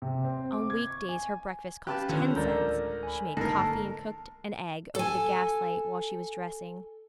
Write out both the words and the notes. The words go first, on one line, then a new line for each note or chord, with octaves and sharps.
On week-days her breakfast cost ten cents; she made coffee and cooked an egg over the gaslight while she was dressing.
C3
C4
D6
G#6
C#6
G#5
C#4 G4 B4 F5 A5 F#6
D3 D#3 C#4 F4
D1 D2 G#3 A#4 D5 E6 G6
G#5 B5
G1 G#2 D3 A#3 A4 A#4 C7
A4 G#5